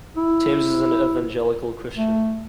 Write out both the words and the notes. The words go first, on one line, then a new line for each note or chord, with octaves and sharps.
Timms is an evangelical Christian.
E4
A3